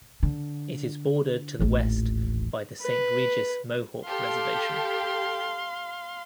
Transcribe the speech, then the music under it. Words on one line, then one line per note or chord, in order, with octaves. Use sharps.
It is bordered to the west by the Saint Regis Mohawk Reservation.
D3
D#1 A1
B4
G4 A4 F5 C6